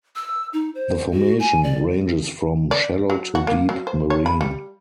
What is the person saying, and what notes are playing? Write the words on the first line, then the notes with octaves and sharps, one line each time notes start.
The formation ranges from shallow to deep marine.
E6
D#4
C5
F#4
G#5
D5
D5
F#3
F#4
A#3
F#3
C5
C#5
B5
G3